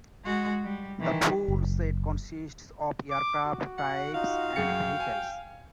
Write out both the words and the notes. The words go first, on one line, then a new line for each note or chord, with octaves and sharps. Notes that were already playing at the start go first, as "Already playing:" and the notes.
The full set consists of aircraft types and vehicles.
G#3 F#4
G3
D#3 E3
F#1
D6
F#4
F#5
D#4 F4 F5
F#2 G#4 G5 C#7
G#5